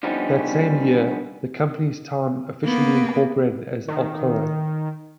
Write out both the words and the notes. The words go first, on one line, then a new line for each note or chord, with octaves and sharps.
That same year, the company's town officially incorporated as "Alcoa".
D3 F3 G3 B3 C#4 D#4
A#3 B3
D#3